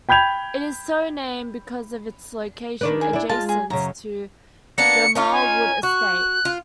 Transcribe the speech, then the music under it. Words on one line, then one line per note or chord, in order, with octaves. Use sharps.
It is so named because of its location adjacent to the Marlwood Estate.
G5 B5 G6 G#6 F7
D#3 D4 B4
G#4
D4 E4
G#3 F4 A5
G#4
F#2 C#3 A#5
A#3 B3 D4 C#7
C#4 D#4 F4
G#5
F#4 F#6
F4